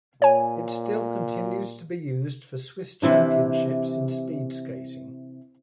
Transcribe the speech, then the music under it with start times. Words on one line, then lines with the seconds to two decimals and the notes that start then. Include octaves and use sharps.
It still continues to be used for Swiss Championships in speed skating.
0.22 A#2 C#5 G#5
3.02 C3 E3 D4